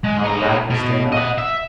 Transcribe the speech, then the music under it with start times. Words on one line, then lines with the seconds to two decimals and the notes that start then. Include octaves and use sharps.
"How do the radicals stand up?"
0.04 G#3
0.24 B3 A#5
0.70 B2
1.12 D#5 F#5
1.38 E5